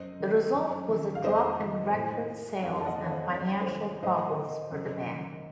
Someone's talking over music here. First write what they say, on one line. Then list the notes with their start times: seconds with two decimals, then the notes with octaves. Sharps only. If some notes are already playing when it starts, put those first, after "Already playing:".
The result was a drop in record sales and financial problems for the band.
Already playing: F#2 C5 D#5
0.20 D#3
0.54 F#2
0.89 D#3
1.15 F5
1.24 F2 C5 D#5
1.59 D#3
1.94 A2
2.63 F2 C#5 F5
2.81 A5
2.86 D#5 F#5
2.98 D#3
3.04 C#5
3.10 C5 D#5
3.33 F#2 C#5
3.61 C5
3.68 D#3 C#5
4.03 A2 C5 D#5
4.72 F#2
5.06 D#3